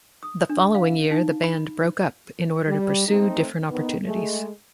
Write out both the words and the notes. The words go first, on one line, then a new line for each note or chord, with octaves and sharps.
The following year the band broke up in order to pursue different opportunities.
D#6
D4
F5
D#4
B5
G3
A3 C4 D#4 A4
D#3 B3
G#3 A3